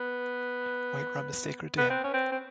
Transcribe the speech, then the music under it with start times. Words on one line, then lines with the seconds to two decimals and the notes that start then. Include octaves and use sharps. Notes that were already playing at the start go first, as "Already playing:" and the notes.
White rum is sacred to him.
Already playing: B3
1.78 B3
1.90 C4
2.04 C#4
2.13 C4
2.32 C4